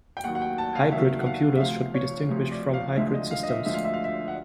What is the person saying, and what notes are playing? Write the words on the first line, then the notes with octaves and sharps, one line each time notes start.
Hybrid computers should be distinguished from hybrid systems.
G5
D#2 D#3 F#3 F#5
F#5
G5
A5
F5
D#2 D#3 F#3 E5
F#5
F5
E5
D2 C3 F3 F5
C#5
D2 C3 F3
D5
F5
D2 D3 F3 G#3 E5
D#5
F5
D#5
E5
D2 D3 F3 G#3 E5
F5
E5
F5
E5
F#5